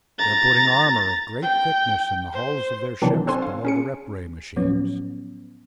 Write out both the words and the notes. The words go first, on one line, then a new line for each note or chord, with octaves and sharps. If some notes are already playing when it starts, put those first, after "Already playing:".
They're putting armor of great thickness in the hulls of their ships below the rep-ray machines.
A#5 A6
G5
C5
C3 D#3 E3 F#3 B3 D4
C4 D4 A4 C5 G#5 C6
F5
C#4 G#4 C#7
A2 F3 F#3 B3 C#4